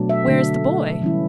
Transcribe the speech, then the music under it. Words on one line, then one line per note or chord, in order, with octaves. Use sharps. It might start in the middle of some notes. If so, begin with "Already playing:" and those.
"Where is the boy?"
Already playing: B2 F#3 A3 D4
E5
D3 A3 D4
E3 G3 C#4 E4